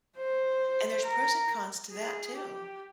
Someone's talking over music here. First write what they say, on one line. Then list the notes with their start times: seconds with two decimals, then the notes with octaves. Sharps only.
And there's pros and cons to that too
0.16 C5
1.05 A#4
1.92 G#4
2.36 G4